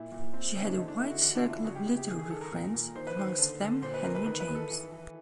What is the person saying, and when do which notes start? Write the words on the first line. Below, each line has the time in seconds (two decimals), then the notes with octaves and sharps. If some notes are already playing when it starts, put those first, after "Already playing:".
She had a wide circle of literary friends, amongst them Henry James.
Already playing: A#2 E4
0.12 A#2
0.33 C4
0.55 C#3
0.62 C#4
0.69 D4
0.77 D3 D#4
0.88 D4
0.99 D3 E4
1.10 F#4
1.21 E3 F#4
1.35 D4
1.43 E3 F4
1.50 E4
1.64 C#3 F#4
1.75 G4
1.86 C#3
1.97 G4
2.08 D#3 G#4
2.19 G#4
2.30 D#3 A4
2.41 A#4
2.51 A#2
2.74 A#2
2.95 D#3 C5
3.07 B4
3.17 D#3 C5
3.38 D3
3.61 D3
3.82 A#2 C5
3.94 B4
4.04 A#2 A#4
4.15 B4
4.26 D#3 B4
4.40 B4
4.48 D#3
4.55 A4
4.70 E3
4.92 E3